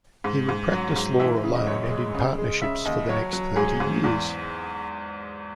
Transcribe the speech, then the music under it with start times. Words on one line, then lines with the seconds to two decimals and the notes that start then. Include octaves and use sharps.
He would practice law alone and in partnerships for the next thirty years.
0.24 G#2
0.49 G#2
0.72 F#3
0.96 G#2
1.20 E3 E5
1.43 C#3
1.55 D#5
1.67 F#2 C#5
1.90 G#3
2.14 C#3
2.38 G#3
2.62 C#3 E5
2.85 D#2 D#5
3.09 F#3 C#5
3.33 F#3
3.56 G#2 G#4
3.80 G#2
4.04 E2